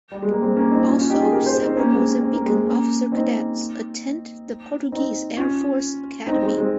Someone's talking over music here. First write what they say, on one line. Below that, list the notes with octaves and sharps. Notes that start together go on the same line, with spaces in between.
Also, several Mozambican officer cadets attend the Portuguese Air Force Academy.
G3
G#3
A#3
G#3 C4
A#3 C#4
C4 D#4
C#4 F4
C#4 F4
D#4 G4
F4 G#4
G4 A#4
G#4 C5
C4 D#4
A#3 C#4
G#3 C4
C#4
C4
A#3
G#3 C4
A#3 C#4
C4 D#4
C4 D#4
C#4 F4
C4 D#4
G#3 C4
G#3 C4